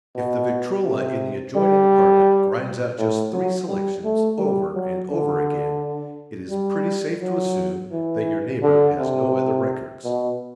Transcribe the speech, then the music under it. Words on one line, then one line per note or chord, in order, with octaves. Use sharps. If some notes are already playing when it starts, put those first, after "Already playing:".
If the Victrola in the adjoining apartment grinds out just three selections over and over again, it is pretty safe to assume that your neighbor has no other records.
B2
C3
G3
A2
F#3
G3
A3
G3
F#3
D3
G3
F#3
E3
D3
C3
B2